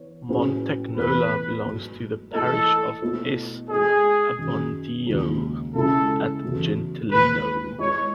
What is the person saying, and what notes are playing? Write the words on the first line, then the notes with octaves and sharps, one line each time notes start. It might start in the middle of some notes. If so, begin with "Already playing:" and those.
Montagnola belongs to the parish of S. Abbondio at Gentilino.
Already playing: E3 B3 C#5
A2 F#3 C#4 G#4 B4
E2 B2 A3 B4
G#2 F#3 A3
E3 A3 E4 G#4 A4 D#5
B2 A3 E4 A4
G#3 D#4 G#4 A4 D#5
F#2 D#3 F#3 C#4
D#2 C#3 G#3 D#4 F#4
C#3 G#3 C#4 E4 A4
E2 C#3 F#3 A3
D#2 D#3 G#3 B4
G#3 B3 E4 B4 C#5 D#5